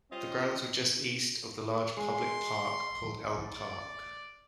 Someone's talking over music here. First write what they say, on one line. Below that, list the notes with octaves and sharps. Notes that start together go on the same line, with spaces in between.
The grounds were just east of the large public park called Elm Park.
G3 C#4 F4 C5 D#5
G#3 C6
D5